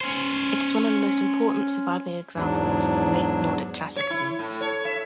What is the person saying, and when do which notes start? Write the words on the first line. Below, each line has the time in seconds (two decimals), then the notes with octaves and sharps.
It is one of the most important surviving examples of late Nordic Classicism.
0.01 C#4 C5
2.37 E2 G#2 F#3 D4
3.96 C#5
4.10 E4
4.39 A2
4.61 C#5
4.85 E5